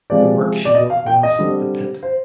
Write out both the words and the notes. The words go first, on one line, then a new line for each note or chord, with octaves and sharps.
The work she wrote was "The Pit".
C3 F3 G#3 C4 D5
D5
D#5
F5
G5
D#5
D3 G3 C4
C5